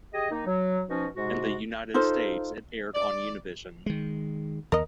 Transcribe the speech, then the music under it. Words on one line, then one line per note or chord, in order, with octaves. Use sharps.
In the United States, it aired on Univision.
G4 G#4 D#5
D#3 A#3 D#4
F#3
B2 F3 C#4 D#4 F#4
G#2 C3 G#3 F#4
D#4 F4 A4 C5
D5
D#3 G#3
D#2 A#4 D#5